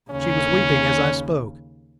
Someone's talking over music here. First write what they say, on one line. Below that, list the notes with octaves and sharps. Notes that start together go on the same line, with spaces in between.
She was weeping as I spoke.
D#2 C#3 C#4